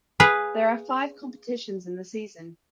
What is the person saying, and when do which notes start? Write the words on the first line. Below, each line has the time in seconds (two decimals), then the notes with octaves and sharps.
There are five competitions in the season.
0.20 G#4 B4 F5